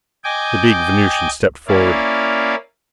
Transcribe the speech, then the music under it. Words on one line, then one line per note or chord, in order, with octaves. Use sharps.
The big Venusian stepped forward.
D#5 G5 G#5 D6
A#3 C#4 E4 D5 F5